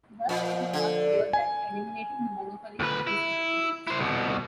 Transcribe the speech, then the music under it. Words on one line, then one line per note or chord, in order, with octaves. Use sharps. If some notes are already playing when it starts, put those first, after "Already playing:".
Thus, it is not clear that eliminating the monopoly increases efficiency.
A#2 F3 D#5
D3 A4
G#5
D2 B4
E4
E4 C5
C2 B2